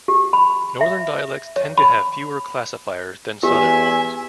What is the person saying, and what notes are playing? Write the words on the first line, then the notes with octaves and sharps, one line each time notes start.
Northern dialects tend to have fewer classifiers than southern ones.
G4
B5
E5
C#5
B5
E2 G4 E5 G#5